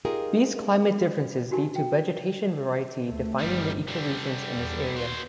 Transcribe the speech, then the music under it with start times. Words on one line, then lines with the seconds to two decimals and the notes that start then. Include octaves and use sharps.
These climate differences lead to vegetation variety defining the ecoregions in this area.
0.05 D#4 F4 G4 G#4 A#4
1.51 D#4 F#4 G4 A#4 G#5 C#6
1.76 G5
3.07 D2 A3
3.39 G1 D#3 G3
3.87 F1 D3 G3
4.57 E2
4.96 D#2 F#3 C5